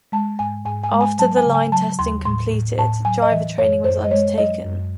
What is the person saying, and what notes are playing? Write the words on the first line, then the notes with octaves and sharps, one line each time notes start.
After the line testing completed, driver training was undertaken.
G#3 A5
G#2 G#5
G#2 G#5
G#5
G#3
G#5
F#3 A5
G#5
C#3
G#5
F#3 A5
D#2 C6
A2 C6
A2
A2 A5
F#3 G#5
D#5
E3 E5
F#2 C#5
F#2 C5
D#5
G#3 C#5
F#3 D#5
F#2